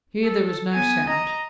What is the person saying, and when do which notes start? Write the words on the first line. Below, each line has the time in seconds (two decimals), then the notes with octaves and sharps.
Here there was no sound.
0.24 A4
0.74 B3 G#5
1.09 D#5 A#5